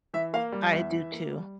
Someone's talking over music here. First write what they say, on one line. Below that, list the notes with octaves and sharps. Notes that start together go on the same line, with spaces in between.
I do too.
E3 E5
A#3 F5
G3
E2 E5
E3
A#3
G3